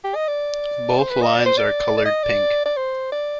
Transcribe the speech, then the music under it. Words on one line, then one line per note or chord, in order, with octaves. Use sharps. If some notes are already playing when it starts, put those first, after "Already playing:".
Both lines are colored pink.
G4
D#5
D5
C5
B4
D#5
D5
C5
D5
D5
D#5
D5
D5
C5
D5